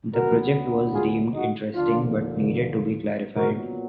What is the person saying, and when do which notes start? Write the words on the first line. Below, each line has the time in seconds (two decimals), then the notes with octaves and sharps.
The project was deemed interesting but needed to be clarified.
0.13 D2 D3 F#3 B3 F#4 A#4
0.94 F4 G#4
1.34 D#4 F#4
1.74 D#2 D3 F3 A#3 D4 F4
3.36 A#2 F#3 B3 F#4 A#4